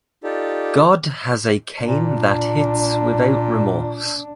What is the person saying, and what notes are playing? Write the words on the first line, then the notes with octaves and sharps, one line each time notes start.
God has a cane that hits without remorse!
D#4 F4 G4 A4 D5
A#2 D4